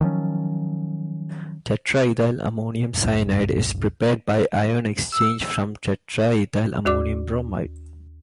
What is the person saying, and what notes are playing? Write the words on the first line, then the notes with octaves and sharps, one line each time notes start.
Tetraethylammonium cyanide is prepared by ion exchange from tetraethylammonium bromide.
D#3 F3 F#3 C#4
F#1 C2 F#2 A2
E6
D#2 F#4 D5 D6